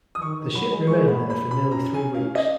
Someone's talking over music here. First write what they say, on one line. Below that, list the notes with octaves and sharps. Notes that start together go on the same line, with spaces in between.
The ship remained there for nearly three weeks.
F3 D#6
D#3 C#6
D#3
F#3 B5
G#3
G#3 C#6
B3 B5
A#3
B5
C#4 B5
A#5
G#5
F5
D#5